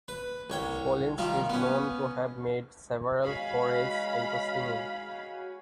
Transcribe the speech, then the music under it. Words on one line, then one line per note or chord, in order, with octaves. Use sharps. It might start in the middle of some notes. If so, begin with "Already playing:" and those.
Collins is known to have made several forays into singing.
B4
C2 C#5 G5
D#3 F3 G3
B3 C#4
G#3 F#4 C#5 F5 G#5 B5